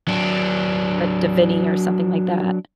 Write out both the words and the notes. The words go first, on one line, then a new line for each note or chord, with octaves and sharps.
but Dhivehi or something like that.
F#3 D4